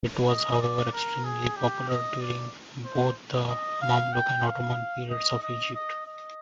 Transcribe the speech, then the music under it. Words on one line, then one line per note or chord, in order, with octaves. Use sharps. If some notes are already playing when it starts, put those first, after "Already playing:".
It was, however, extremely popular during both the Mamluk and Ottoman periods of Egypt.
D#5
D5
A#4
G#4
G4
D#5
D5
C5
D#5
F5
G5
F5
D#5
D#5
D#5
D#5